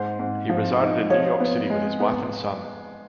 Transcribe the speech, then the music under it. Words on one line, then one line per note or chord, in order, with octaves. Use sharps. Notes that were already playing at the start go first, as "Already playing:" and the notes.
He resided in New York City with his wife and son.
Already playing: G#2 C5
G#2
F3
D#4
F3 C#5
B3
G#3
B3